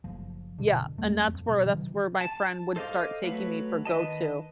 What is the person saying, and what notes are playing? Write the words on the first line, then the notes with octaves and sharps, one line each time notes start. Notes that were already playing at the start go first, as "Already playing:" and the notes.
Yeah, and that's where that's where my friend would start taking me for go-to
F#1 F3
F#1 B2 D3
E2 G3 A3 C4
F2
B2 F#3
C3 D#3 E3 F#3
A5
A4 C5 D#5 F5 D6
F#3 A3 B4
D#3 B4 D#5 A5